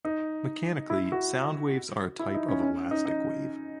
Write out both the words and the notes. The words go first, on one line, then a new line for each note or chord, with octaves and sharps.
Mechanically, sound waves are a type of elastic wave.
D#4
E4
F#4
E4
D#4
C#4
C#4
D#4
D#4